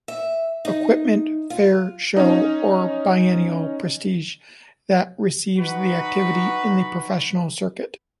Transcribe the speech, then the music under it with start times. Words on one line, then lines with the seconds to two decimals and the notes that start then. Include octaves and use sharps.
Equipment, fair, show or biennial prestige that receives the activity in the professional circuit.
0.08 E5
0.65 D#4
1.50 F4
2.16 C#4 D#4
5.59 D#4 F#4 B4